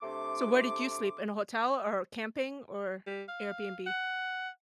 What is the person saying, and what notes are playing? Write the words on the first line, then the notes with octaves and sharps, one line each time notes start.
So where did you sleep, in a hotel or camping or Airbnb?
C3 A3 D4 C6 D6
G3
F5
F#5